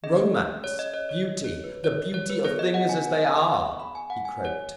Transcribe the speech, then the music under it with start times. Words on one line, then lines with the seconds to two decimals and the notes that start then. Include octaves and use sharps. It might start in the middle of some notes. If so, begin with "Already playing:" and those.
"Romance--Beauty--the Beauty of things as they are!" he croaked.
0.04 C#4 G#4 D#5
0.64 C#5
0.79 D#5
0.94 C#5
1.09 C#5
1.24 D#5
1.44 C#5
1.64 B4
1.84 C#5
2.14 C#5
2.30 B4
2.45 B3 G#4 C#5
2.59 D#5
2.74 F#5
2.89 G#5
3.65 C#6
3.80 B5
3.95 G#5
4.10 F#5
4.25 G#5
4.45 C#5